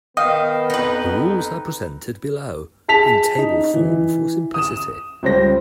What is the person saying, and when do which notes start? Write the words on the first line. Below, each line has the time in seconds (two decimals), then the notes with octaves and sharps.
The rules are presented below, in table form for simplicity.
0.17 D#3 B3 D#5 F5 G5
0.70 F2 D#4 B4
2.88 G#4 A5 B6 F7
3.38 D#4
3.74 E3
4.54 D#6 E7
5.23 C#2 G3 C5 A#6